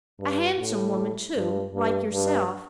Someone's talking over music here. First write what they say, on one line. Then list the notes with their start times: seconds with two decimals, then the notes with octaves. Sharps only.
A handsome woman, too, like yourself.
0.20 G2
0.58 A2
1.36 G2
1.74 G2
2.13 G2